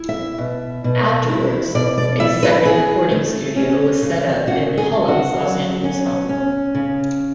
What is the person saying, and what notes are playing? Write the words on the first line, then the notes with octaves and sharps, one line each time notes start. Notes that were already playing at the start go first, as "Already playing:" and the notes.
Afterwards, a second recording studio was set up in Hullum's Los Angeles home.
Already playing: E4
E5
B2
B2
E4
B2 D5
D5
E4 E5
B4
E4 G#4
A3
C#4
C#3
C#3 F#4
G#4
C#3
F#4
F#3
C#4
C#4
C#3